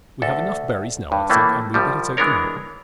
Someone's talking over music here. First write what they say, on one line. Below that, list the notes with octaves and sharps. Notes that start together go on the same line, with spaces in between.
We have enough berries now, I think, and we had better take them home.
D2 A4
G2
A2 E3 A3 A#3
C2 F3 G3
E3 G#3 B3 D4 A#4 C#5